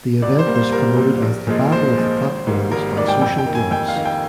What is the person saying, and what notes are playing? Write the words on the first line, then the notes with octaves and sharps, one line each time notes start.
The event was promoted as the Battle of the Platforms by Social Gloves.
C2 D5
C5
A#2 G3 A#3
C5
C2 A#4
A#2 G3 A#3
A#1
A#2 F3 G#3
A#1 C5
A#2 F3 G#3
G#1
G#2 G3 A#3
G#1 A#4
G#2 G3 A#3 D5
G5
F2 G5
G5
D#3 A#3
G#5
F2 G5
F5
D#3 A#3
G5